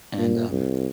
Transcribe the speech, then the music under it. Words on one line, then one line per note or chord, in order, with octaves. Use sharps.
And, um
A#2
C2